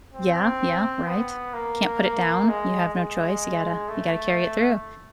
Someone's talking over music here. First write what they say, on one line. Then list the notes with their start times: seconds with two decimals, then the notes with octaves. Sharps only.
Yeah, yeah, right. Can't put it down. You have no choice. You gotta you gotta carry it through.
0.13 C4
1.06 B3
1.53 A#3
2.01 A#3
2.48 G#3
2.94 G#3
3.89 A3